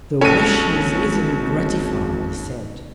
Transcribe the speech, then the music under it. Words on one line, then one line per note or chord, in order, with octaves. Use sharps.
"The wish is easily gratified," he said.
G#1 D#2 C#4 A4 D#7